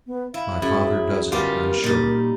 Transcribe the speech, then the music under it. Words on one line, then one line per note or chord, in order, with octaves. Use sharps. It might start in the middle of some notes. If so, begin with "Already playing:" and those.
My father doesn't, I'm sure.
B3
E4 F5
F#2 E4 G#4
G3 B3 F4 G4 A#4
A#2 G3 D#4